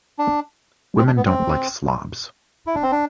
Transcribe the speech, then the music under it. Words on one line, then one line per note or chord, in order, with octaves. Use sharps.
Women don't like slobs.
D4
C4
D4
B3
C4
E4
D4
C4
D4